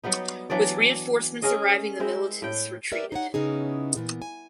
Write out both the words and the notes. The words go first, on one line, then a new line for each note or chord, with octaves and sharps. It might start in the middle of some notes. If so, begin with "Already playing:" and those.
With reinforcements arriving the militants retreated.
F#3 G3 B3 D#4
E3 F#3 D4 D5
C#4 G#4 A#4 D#5
G#3 C4 E4
A2 G5
G4 A#4 B4 C#5 D5 E5
D#4 C#5 F#5
C#3 B3 C#4 D#4 E4 G#4
A#2 E3 B3
G#5